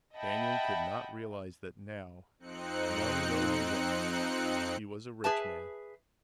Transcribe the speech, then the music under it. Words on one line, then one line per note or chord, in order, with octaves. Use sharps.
Banion could not realize that now, young though he was, he was a rich man.
D#5 E5 F#5 G5 A5 B5
F2 C4 D#4 F#6 C#7
G#4 B4 E5 A5